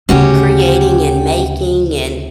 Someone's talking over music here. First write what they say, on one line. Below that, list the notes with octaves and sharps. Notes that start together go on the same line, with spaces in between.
creating and making and
D2 C#3 C#4 F#4 G4